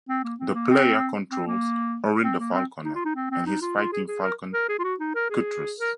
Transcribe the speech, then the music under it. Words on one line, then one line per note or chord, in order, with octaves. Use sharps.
The player controls Orin the Falconer and his fighting falcon Cutrus.
C4
A#3
C4
A#3
C4
C4
A#3
C4
A#3
C4
D#4
F4
D#4
C4
C4
D#4
F4
F4
G#4
G#4
A#4
A#4
G#4
F4
F#4
D#4
A#4
G#4
A#4